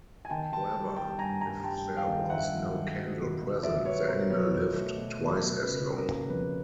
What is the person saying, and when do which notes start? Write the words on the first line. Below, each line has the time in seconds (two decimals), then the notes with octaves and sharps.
However, if there was no candle present the animal lived twice as long.
0.25 G#5
0.30 D#3 G5 A5
0.52 D#3 G5 A5
0.75 G3
0.96 G3 G5 A5
1.19 G2 G#5 A#5
1.41 G2 G#5 A#5
1.63 G3 G5 A5
1.86 G3
1.97 F5 G5
2.08 D#3
2.30 G2 E5 F#5
2.53 G2
2.75 D#3
2.96 F#3
3.19 B2
3.41 B2
3.63 F#3 D5 E5
3.85 F#3 B4 C#5
4.07 B2 A#4 C5
4.30 B2 B4 C#5
4.52 B2
4.74 A3
4.96 B2
5.19 B2
5.41 B2
5.63 C#3 B4
5.85 C#3
5.96 A#4
6.08 A#3
6.30 F2 B4